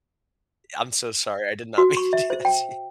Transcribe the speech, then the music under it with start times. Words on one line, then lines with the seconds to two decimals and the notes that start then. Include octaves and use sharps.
I'm so sorry. I did not mean to do that to you.
1.78 F#4
1.97 C#6
2.13 E5
2.30 C5
2.45 G5